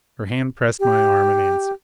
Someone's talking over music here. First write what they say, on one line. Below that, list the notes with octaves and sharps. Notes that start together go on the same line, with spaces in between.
Her hand pressed my arm in answer.
G4